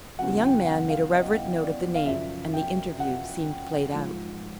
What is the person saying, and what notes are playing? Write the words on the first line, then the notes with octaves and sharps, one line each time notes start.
The young man made a reverent note of the name, and the interview seemed played out.
E2 C#3 F#3 F#5
G5
F#5
F5
D#5
D5
F5
F#2 C#3 F3 E5
G5
F#5
G#2 F3